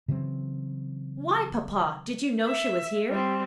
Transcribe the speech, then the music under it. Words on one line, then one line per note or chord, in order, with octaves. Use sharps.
"Why, papa; did you know she was here?"
C#3 E3 F#3 C4
E5
G3 C4